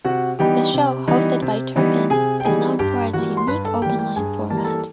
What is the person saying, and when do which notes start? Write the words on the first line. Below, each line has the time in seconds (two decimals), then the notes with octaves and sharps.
The show, hosted by Turpin, is known for its unique open-line format.
0.05 C3 F#4 F#5
0.39 E3 G3 B3 D#4 G4 G5
0.74 C3
1.08 E3 G3 B3 D#4
1.42 C3
1.76 E3 G3 B3 D#4
2.10 C3 G#4 G#5
2.40 G5
2.45 E3 G3 B3 D#4 G#4 G#5
2.79 G2 G4 G5
3.13 E3 G3 A#3 F#4 F#5
3.37 C6
3.47 G2 B4 B5
3.65 A4 A5
3.82 E3 G3 A#3 G4 G5
3.99 G4 G5
4.16 G2 G#4 G#5
4.50 E3 G3 A#3 A5
4.57 A#5
4.64 A4 A5